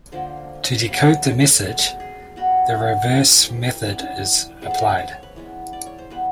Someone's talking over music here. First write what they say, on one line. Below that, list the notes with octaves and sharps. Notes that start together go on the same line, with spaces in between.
To decode the message, the reverse method is applied.
D3 F3 A#3 C5
C#3 F#3 A#3 B4
A4
A4
B2 G#3 B3
G#4
B2 G3 B3 F#4
F#4
C3 E3 A3
G4
E3 G3 B3
C3 F3 G#3 B3 G#4
A4
A#4
B4
C5
C#5
B4
E3 G#3 B3
D5
C#5
C5
E3 G3 B3 B4